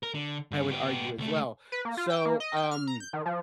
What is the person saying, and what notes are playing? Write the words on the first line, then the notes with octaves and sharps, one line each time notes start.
I would argue as well. So, um,
A#4
D3
G2 D3
B3 G4
C#2 A3
B4
A#3
F4
G5
A#3
D#5
G5
F6
A#5
G6
D#3
F3